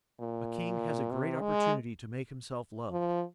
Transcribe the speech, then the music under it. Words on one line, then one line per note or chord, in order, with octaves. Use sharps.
A king has a great opportunity to make himself loved.
A#2
C3
G#3
F3